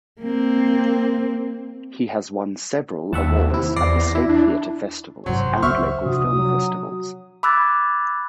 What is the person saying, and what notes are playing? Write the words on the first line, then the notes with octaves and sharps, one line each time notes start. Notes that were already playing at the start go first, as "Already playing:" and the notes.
He has won several awards at the state theater festivals and local film festivals.
A#3 C4
D#2 E5 F#5 A5
C3 E4
E2 D5 A#6 C7
E4
D4
G#1 G2 C3 F#3 C5
C#2 E5 C#6 F6
C3 F3 D4 F#4 D#6
F#3
B5 D6 E6 F#6 G#6 A6